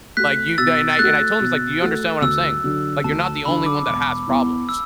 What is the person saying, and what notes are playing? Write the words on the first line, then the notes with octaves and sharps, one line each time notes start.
Like, you then I and I told him, I was like, "Do you understand what I'm saying now? Like, you're not the only one that has problems."
A3 F#4 F#6 B6
B2 E6 A6
A6
A3 F#4 F#6
B2
A3 F#4
D2 E6
D3 F#3 D4
D2 A5
A5
D3 F#3 D4 B5
D6
E1 D6
E2 E3 B3
E6